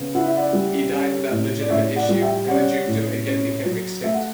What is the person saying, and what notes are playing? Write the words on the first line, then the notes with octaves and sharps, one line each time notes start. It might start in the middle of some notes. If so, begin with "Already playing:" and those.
He died without legitimate issue, and the dukedom again became extinct.
Already playing: C#3 B3
E4 F#5
E5
D5 F#5
G3
C#4
A2
D5
A2 C#5 E5
D5 F#5
G3
E5 G5
C#4 D5 F#5
A2
C#4
F#3
A3 E5
F#5